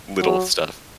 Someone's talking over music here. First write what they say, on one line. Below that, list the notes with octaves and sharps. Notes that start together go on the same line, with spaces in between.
little stuff.
F#3